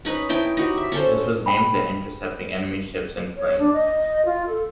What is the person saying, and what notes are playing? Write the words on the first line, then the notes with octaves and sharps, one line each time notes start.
This was aimed at intercepting enemy ships and planes.
C#4 D#4 B4
D#4 E4 G5 A5
D#4 F#4 G4
E5
C#4 A4 C5
G5 B5
C#5
D4
D#5
F4
A4